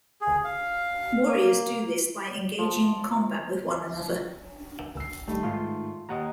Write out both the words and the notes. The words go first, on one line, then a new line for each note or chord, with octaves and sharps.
Warriors do this by engaging in combat with one another.
G#4
F5
A#3
F3
E6 C7
D#3 G3 A3
G#2 F4 C6
D#2 D#5 F#5 A#5